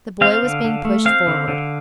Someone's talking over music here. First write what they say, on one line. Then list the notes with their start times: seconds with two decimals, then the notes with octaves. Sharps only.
The boy was being pushed forward.
0.21 C4 F5
0.43 D3
0.65 D3
0.85 A3
1.05 C4 F5
1.27 D3
1.48 D3